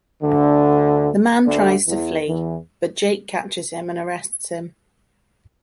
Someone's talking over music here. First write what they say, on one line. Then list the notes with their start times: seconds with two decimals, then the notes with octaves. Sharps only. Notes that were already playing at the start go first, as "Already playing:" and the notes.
The man tries to flee but Jake catches him and arrests him.
0.22 D2 D3
1.45 D2 D3
1.87 E2 E3
2.27 E2 E3